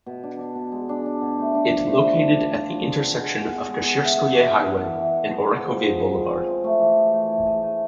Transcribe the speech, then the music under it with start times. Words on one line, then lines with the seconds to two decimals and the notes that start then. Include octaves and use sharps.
It located at the intersection of Kashirskoye Highway and Orekhovy Boulevard.
0.06 B2
0.23 D4
0.39 D4
0.55 B2
0.72 G#3
0.89 D4
1.06 D4
1.22 B2
1.38 A3
1.55 D4
1.71 F3
1.88 A3
2.04 D4
2.21 D4
2.37 F3
2.54 F4
2.70 F4
2.85 G#3
3.02 B3
3.18 G#3
3.34 G#3
3.52 B3
3.68 G#3
3.84 B3
4.01 E4
4.18 A4
4.34 E3
4.50 E4
4.66 E3
4.83 E3
4.99 E3
5.15 A4
5.32 G#3
5.49 F3
5.65 F3
5.82 G#3
5.97 F3
6.15 G#3
6.30 C4
6.46 F3
6.64 A3
6.79 E3
6.97 G#4
7.13 A3
7.29 E4
7.46 G#4
7.62 A3